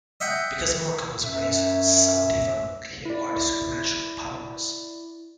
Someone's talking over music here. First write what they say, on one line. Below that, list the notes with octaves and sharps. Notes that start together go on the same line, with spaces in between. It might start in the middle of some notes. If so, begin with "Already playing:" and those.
Because Marko was raised on samodiva milk he acquired supernatural powers.
D#5 E5 F#5 G5 C6
F#2 E5
E4 D5